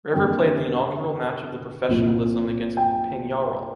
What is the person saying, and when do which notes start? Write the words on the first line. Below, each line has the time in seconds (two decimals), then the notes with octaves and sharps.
River played the inaugural match of the professionalism, against Peñarol.
0.13 F2 D3 G3 A#3 G5
1.88 C2 A#2 F3 A#3
2.77 G5